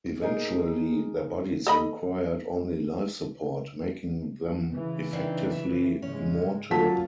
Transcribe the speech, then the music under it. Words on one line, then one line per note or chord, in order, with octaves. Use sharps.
Eventually, their bodies required only life support, making them effectively immortal.
D#4 G#4 A#4
A4 D#5 B5
C#3 E3
C4 D4 D#4
E5
G#2 C#3 G#3 C#4
F#3 A#3 C#4 F4 A5 B6